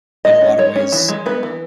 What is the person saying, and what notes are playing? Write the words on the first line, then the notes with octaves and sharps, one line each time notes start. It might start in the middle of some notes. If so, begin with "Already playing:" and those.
In a lotta ways,
G#3 D#5
C#4
G#3 C#5
C#4
E3
G#3
B3 B4
E3